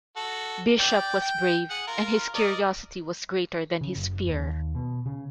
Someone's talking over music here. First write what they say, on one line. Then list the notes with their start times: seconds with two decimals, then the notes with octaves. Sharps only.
Bishop was brave and his curiosity was greater than his fear.
0.17 F#4 A4
0.79 D5 G5
1.22 G5
1.70 G#4 F#5
1.87 F4 A#4
2.35 A#4 D5 D#5
3.81 C#3
3.96 F#1
4.27 D#2
4.75 B2
5.06 C#3